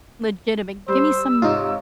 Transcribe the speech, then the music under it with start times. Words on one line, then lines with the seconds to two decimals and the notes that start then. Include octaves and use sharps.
legitimate give me some
0.88 G3 C5 E6
1.42 G#2 C3 D#4 F4 C#5